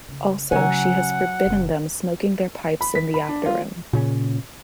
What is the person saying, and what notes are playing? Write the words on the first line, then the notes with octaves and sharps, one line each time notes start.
Also, she has forbidden them smoking their pipes in the after-room.
C#3
C#3 F#3 F#5 G#5
F#1
B5
B6
B5
D4
F4
A#2 C#3 C#4